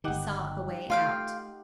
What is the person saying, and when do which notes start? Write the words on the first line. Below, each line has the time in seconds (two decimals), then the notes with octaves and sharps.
He saw a way out.
0.04 G1 D#3 D#4 G4 F#5
0.90 A3 F4 F5 G5